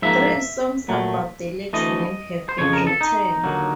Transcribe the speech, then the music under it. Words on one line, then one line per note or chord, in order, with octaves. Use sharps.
Three songs about the lake's name have been written.
G#2 F3 A#3 E5
A#2 F#3 A3
D2 C#3 E3 A3 D#5
C5
F2 C#3 F3 C#5
A#4
A4
D#4
D#2 D3 F#3 A#3